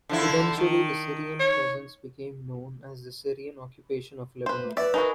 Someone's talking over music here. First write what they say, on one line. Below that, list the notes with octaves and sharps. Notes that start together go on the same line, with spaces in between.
Eventually the Syrian presence became known as the Syrian occupation of Lebanon.
D3 F3 E4
D#3
C#5
B4 C5
A3
E4 B4 D5 E5
D#4 F#4 A#4 G#5 B5